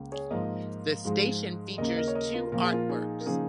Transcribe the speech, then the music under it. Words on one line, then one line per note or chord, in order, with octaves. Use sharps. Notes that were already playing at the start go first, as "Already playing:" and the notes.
The station features two artworks.
Already playing: C#2 C#3 A#3
G#4 C#5
G#2 F3 A#3 A#4 D#5
G#2 F3 G#3
D#2 C#3 A#3 A#4 D#5
A#4 D#5
C#5
A#4 D#5
F4 A#4
A#2 F3 A#3 A#4
G#4
F4 A#4
D#4 G#4
A#4
C#3 F3 A#3 D#4 G#4